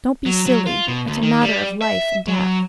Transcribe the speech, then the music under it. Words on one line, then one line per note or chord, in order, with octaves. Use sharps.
'Don't be silly - it's a matter of life and death.'
F#3
F#3
F4
B2
D2
D#3
G3
E5
F#3